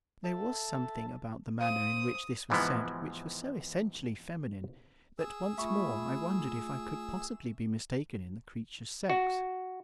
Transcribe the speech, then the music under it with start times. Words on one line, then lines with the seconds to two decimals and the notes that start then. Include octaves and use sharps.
There was something about the manner in which this was said which was so essentially feminine that once more I wondered if I could possibly be mistaken in the creature's sex.
0.24 A4 E5 A5
1.61 C5 F5 D#6
2.50 G#2 C3 E3 F3 G#3 B3
5.18 G#4 E6
5.58 A3 F4 E5 B5 C#6
9.10 F#4